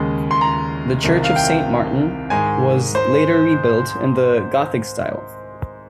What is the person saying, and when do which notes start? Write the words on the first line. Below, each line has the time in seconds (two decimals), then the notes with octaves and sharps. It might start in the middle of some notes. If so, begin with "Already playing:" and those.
The church of Saint Martin was later rebuilt in the gothic style.
Already playing: D#2 C#3 G#3
0.31 C6
0.41 A#5
1.04 C2 C3 D#3
1.24 F5
1.36 G5
2.30 G#2 D#3 G#3 G#5
2.95 C5